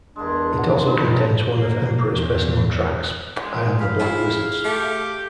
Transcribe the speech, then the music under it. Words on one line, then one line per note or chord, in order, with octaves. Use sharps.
It also contains one of Emperor's best known tracks, "I Am the Black Wizards".
E2 G#3 A#3 D4
F#5
D3 G3 G#3 D#4 F#4
G3 A#3 F4 A#4 A5
A#3
E2
G#3
F3 F5 B5
E4 F4 G#4
A3 G4